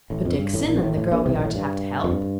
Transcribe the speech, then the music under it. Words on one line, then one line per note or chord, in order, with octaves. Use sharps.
'But Dixon, and the girl we are to have to help?'
A1 A2
F2
G2
A1 A2
A#1 A#2
A1 A2
A1 A2
A#1 A#2
C2 C3
A#1 A#2
A1 A2
G2
F2
G2